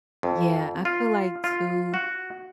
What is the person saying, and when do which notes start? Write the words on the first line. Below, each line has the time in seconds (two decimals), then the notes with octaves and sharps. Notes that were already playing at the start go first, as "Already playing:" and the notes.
Yeah, I feel like too,
0.23 F2
0.85 F4
1.44 F4
1.94 F#4